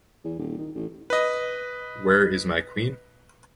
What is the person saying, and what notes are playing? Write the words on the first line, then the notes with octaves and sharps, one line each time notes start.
Where is my queen?
E2
D#1
D#3
A1
B4 D#5